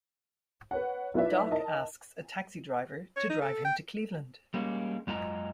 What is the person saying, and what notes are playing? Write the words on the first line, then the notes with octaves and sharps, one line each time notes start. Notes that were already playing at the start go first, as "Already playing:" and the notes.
Doc asks a taxi driver to drive him to Cleveland.
B4 C#5 F#5
B1 E4 F4 B4 D5 E5
A#4 D#5 A5
C#5
D#4
A4
G5
G3 G#3 A#3 C#4
F#2 G#3 F4 D#5 A#5